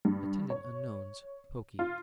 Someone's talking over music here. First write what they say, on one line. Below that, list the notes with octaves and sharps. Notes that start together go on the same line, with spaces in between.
Attendant unknowns; pokey.'
G2
C#5
F4